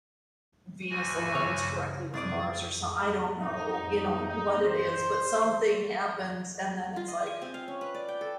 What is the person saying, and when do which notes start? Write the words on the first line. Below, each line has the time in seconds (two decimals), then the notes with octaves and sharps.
Venus aligns correctly with Mars or some I don't know, you know, what it is, but something happens, and then it's like,
0.90 D2 F#4 G#5
1.35 C#3 C#5
2.14 C2 G#4 D5 A6
3.39 D#4
4.29 D#4
4.65 C5
6.96 F4
7.08 D#5
7.26 G#5
7.42 C4
7.54 F5
7.68 C#4
7.81 B4
7.95 D5
8.08 G5
8.21 A4